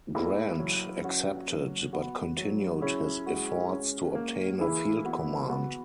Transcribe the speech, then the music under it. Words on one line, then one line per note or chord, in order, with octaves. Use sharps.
Grant accepted, but continued his efforts to obtain a field command.
A#3 E4 G#4
F#3
C#4 F#4
F#3
B3 F#4
F#3
C#4 E4 G#4
G#3 F#4
C#4
A#3
E3 E4 G#4
B3 F#4
B3 F#4